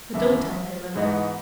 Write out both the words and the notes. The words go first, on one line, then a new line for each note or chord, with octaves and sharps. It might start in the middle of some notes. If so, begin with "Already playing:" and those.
But don't tell her, mother.
D#2 C#3 E3 B3 E5
G#2 E3 B3 D#4